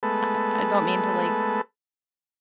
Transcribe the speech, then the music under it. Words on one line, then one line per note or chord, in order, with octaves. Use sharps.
I I don't mean to, like,
G#3 A3 B3 A4 B4